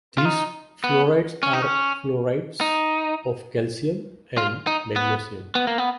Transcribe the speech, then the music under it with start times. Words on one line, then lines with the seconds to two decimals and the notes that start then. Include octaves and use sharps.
These fluorides are fluorides of calcium and magnesium.
0.18 F4
0.25 D#4
0.84 B3
1.43 C#4
1.53 D#4
1.62 C#4
2.61 D#4
4.37 F4
4.67 D#4
4.96 B3
5.55 B3
5.67 A#3
5.78 B3